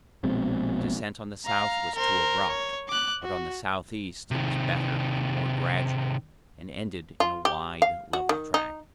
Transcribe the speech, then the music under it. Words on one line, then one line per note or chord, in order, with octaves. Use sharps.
The descent on the south was too abrupt, but on the south-east it was better and more gradual, and ended in a wide, level tract.
A#1 B2 G#3 C4
F5 A#5
A#4 C5
C#5
D6 F#6
F#4
C3 D#3
F4
G4
F5
F#4
D#3
D#4